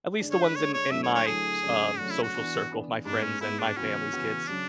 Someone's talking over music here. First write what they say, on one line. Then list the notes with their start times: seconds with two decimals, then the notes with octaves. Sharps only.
at least the ones in in my s um, social circle, my friends and my family's kids,
0.20 D3 G#3 D4
0.31 C#5
0.44 B4
0.55 D3 G#3 D4 C#5
0.74 C#5
0.91 D3 F#3 A3 E4 A4 E5
1.03 C#5
1.15 C#5
1.27 D3 F#3 A3 E4 G#4 A4
1.62 C#3 F#3 A3 D4
1.99 C#3 F#3 A3 D4 F#4
2.10 E4
2.23 F#4
2.34 E3 B3 D4
2.70 E3 B3 D4
3.05 G#2 G#3 B3 D4
3.23 C#4
3.41 G#2 G#3 B3 E4
3.59 D4
3.77 C#3 E3 B3 C#4 F#4
4.12 C#3 E3 B3 F#4
4.48 C#3 F#3 D4